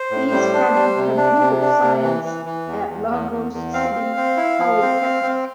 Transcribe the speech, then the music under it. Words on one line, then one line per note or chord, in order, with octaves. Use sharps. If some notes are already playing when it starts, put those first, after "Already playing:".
He studied Computer science at Lagos City Polytechnic.
Already playing: C5
A2
G3
D4
G3
C3
D4
C3
D4
C3
E3
E3
E3
E2
E2
E2
E2
E2
C4 F5
C4
C4
E4
F3
C4
C4
C4